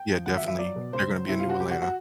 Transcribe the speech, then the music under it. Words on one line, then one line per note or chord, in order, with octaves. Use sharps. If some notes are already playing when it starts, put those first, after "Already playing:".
Yeah, definitely, there gonna be a new Atlanta.
Already playing: G5
F3
G#1 F#5
E5
F3
E5
F#3 D5
B2
C#2 C5
F#3
C3 E4
C3 F4
F#4
C2 G4
F#4
F#4